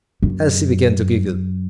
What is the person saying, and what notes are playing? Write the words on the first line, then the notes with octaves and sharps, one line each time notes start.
Elsie began to giggle.
F#2